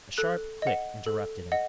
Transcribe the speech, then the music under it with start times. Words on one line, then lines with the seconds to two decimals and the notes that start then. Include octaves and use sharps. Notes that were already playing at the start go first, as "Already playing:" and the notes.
A sharp click interrupted him.
0.18 A4 F#6
0.62 D#5 F#5
1.06 A4
1.52 D#5 F#5